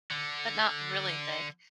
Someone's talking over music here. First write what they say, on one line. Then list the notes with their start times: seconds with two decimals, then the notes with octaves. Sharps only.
but not really thick.
0.11 D3